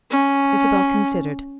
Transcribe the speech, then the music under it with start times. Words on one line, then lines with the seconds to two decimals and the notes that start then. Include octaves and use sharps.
Isabel considered.
0.11 C#4